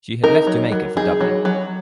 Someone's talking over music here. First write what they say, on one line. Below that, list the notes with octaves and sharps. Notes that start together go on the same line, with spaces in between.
She had left Jamaica for Dublin.
D#4 A#4
F#3
F#3
D#4 G#4
F#3
F#3